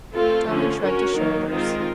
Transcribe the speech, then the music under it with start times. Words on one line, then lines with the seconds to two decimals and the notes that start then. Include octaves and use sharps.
Tarling shrugged his shoulders.
0.14 A3 C4 F4 A4
0.48 D3 F3 A3 C#4
0.82 C#4 F#4 A#4
1.16 D#3 F#3 A#3
1.49 D#3 G#3 C4 F4 A#4